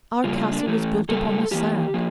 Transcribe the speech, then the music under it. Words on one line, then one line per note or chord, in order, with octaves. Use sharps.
Our castle was built upon the sand.
C#3 G3 A#3 F4
F4
D4
A2 E3 A3
C#3 G3 A#3 A4
A2 E3 A#3 G4
F3 A#3